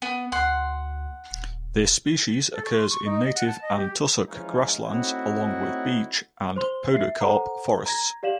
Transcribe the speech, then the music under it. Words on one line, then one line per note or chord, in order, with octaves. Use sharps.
This species occurs in native and tussock grasslands along with beech and podocarp forests.
B3
D2 F#5 C6
D#1
A4
C#6
C6
C#6
D#4
D#5
F#5
A5
D#5
G4
E3 F3 G#3 C#4 D#4 F4
A3 C4 C#4 D#4 E4 F#4
C5 C6 F7 G7
E5 C7
A4 C5 F#5 A#5
A#5 G#6 A#6
G4 D5 F5 E7 F#7